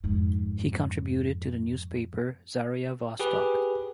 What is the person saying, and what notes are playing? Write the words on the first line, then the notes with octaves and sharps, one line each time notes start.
He contributed to the newspaper "Zaria Vostok".
F2 G#2
G4 G#4 B4